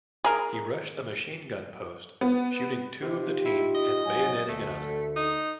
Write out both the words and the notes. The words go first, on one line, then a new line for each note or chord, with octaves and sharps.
He rushed a machine gun post, shooting two of the team and bayoneting another.
G#4 A#4
B3
C3 D#4 F4 G4
E4
D#5
G#2 F#3 G#5
D2 D3 A3
D#4